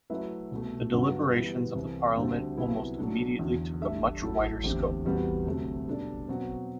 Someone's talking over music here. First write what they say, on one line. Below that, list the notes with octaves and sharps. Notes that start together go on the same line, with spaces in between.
The deliberations of the parliament almost immediately took a much wider scope.
F#3 A3 E4 B4 E5
C2 B2 A3
G2 D3 F#3 B3 F#4
E3 G3 B3 E4
C2 C3 E3
D2 D3 G3 C4 F#4
C2 C3 F#3 B3 E4
F#3 A3 D4
E2 D3 F#3
G3 D4 A4 E5
A2 F#3 A3 E4 A4
E2 D3 A3 C4 G4
E2 C3 G3 B3 F#4
D2 C3 F#3 A3 C4
B2 G3 D4 A4 D5
B2 F#3 C4 F#4